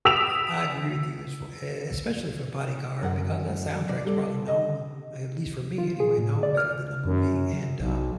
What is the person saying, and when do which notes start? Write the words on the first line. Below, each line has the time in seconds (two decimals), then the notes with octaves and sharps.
a I agree with you as f e es especially for Bodyguard because that soundtrack is probably known, at least for me anyway, known better than the movie and, uh,
0.05 D#6 E6 B6 D7 E7 F7
3.02 F#2 F#5
3.89 D5
4.05 G3 A4
4.48 D#5
5.78 F4
6.00 G#4
6.18 A2
6.43 D5
6.57 F6
7.05 F#2
7.80 B1